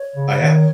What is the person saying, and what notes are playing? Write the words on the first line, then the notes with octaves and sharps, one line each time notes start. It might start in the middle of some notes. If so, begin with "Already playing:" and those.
I have.
Already playing: C#5
C#3
D#3